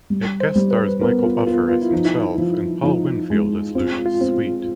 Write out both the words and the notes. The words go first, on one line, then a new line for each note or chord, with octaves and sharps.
It guest stars Michael Buffer as himself and Paul Winfield as Lucius Sweet.
G3
C5
G3
B4
B3 A#4
F4
B3 F4
F4
E4
F3 D#4
E4
F3
F3 D#4
G#3
C4 F4
F4
C4